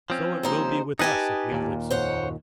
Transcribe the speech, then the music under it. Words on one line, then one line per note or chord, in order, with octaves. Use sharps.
So it will be with us, if we live so long.
F3 C4 C#4
D#2 D#4 C5
D#4 G4 B4 D#5 G#5 A5
D#2 A#2
C5 C#5 F#5